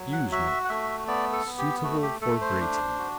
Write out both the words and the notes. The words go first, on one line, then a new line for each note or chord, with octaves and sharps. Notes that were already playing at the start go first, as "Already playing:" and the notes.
Ewe's milk; suitable for grating.
Already playing: F#3
F#5
F#4 E5
F#5
A3 E5
B3 D5
A4
B3
G4
A3 F#4
G4
A3 A4
C5
D4
F#4